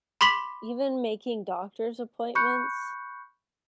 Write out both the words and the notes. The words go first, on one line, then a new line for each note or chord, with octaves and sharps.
even making doctor's appointments.
B5 C6 D6 B6 F#7
B5 C#6 F#6 G6 C#7